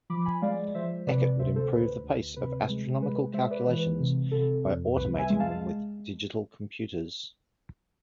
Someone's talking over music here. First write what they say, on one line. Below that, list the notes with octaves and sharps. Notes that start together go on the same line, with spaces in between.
Eckert would improve the pace of astronomical calculations by automating them with digital computers.
F3 B5 D6
G#5 B5
G#3 D5 F5
F3 C5 E5
C3 B4 D5
D2 C5 E5
A4 C5
D2 B4
D2
C3 B4
G#3
G#3 B4
G#3 C5 E5
B4 D5
E3 B4
C3
C3 A4
F2
C2 B4
E5 G#5
G#3
F5 A5